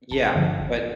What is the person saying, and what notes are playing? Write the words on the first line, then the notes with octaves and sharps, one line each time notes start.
Yeah, but
G1 A5
G2 D3 F3
G1